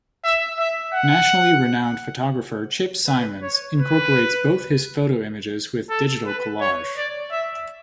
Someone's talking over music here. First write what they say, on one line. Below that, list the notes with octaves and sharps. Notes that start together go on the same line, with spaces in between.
Nationally renowned photographer Chip Simons incorporates both his photo images with digital collage.
E5
E5
F#5
B4
C#5
B4
A4
B4
C#5
D5
E5